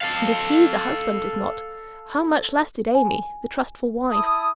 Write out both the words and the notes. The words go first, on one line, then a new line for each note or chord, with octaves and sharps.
And if he, the husband, did not, how much less did Aimee, the trustful wife?
A4 F5
G#5
E4 A5 D#6